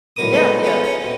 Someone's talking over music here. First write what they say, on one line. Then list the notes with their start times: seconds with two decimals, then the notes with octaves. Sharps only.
Yeah, yeah,
0.16 B1 A2 D3 A#4 D6 D#6
0.31 G#3 A3 B3 A4 C5
0.63 G#3 B3 C#4 F4 A4
0.84 C#4 D#4 C#5 A#5
1.00 B2 C4